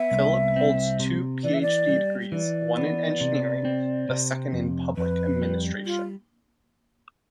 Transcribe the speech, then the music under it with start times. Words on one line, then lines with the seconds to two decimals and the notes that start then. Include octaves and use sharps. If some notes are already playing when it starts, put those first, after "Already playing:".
Filip holds two PhD degrees, one in engineering, the second in public administration.
Already playing: B3 E5
0.11 C2
0.56 C4
1.00 C3
1.43 E3 D5
1.54 E5
1.62 D5
1.88 G3
2.32 E3 D5
2.77 B3
3.21 C3
3.65 C4
4.09 C3
4.53 F2
4.97 F2 B4
5.42 G3
5.86 F4